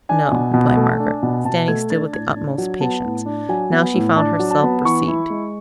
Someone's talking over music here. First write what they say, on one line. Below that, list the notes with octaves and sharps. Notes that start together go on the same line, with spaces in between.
'No!' replied Margaret, standing still with the utmost patience, now she found herself perceived.
D4 G#5
B2
B2
A3
D4
B2
B2 A5
A3 G#6
D4 A6
A2 G#6
D4
F#3
B3 A5
A2
D4
F#3 G#5
B3
A2
D4 A5
F#3
A5
B3
E3 C#6
E4
G#3